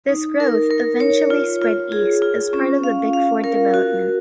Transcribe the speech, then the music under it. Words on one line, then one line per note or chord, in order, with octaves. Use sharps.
This growth eventually spread East as part of the Bickford development.
D#4
A#4
A#4
C#5
F4
F4
G#4
F4
C#4
F5
F5
A#4
F#4